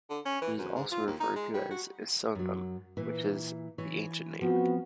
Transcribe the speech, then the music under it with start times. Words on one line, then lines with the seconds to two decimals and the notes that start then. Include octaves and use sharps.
It is also referred to as Issoundun, which is the ancient name.
0.10 D3
0.26 C#4
0.42 E3
0.58 F#2
0.75 G#2
0.92 F4
1.07 D#2
1.20 D#4
1.36 G#3
1.54 G3
1.70 F#4
2.35 F#2 F#3
2.97 A#2 E3
3.78 E3 C#5
4.41 F3 B3 C4 F#4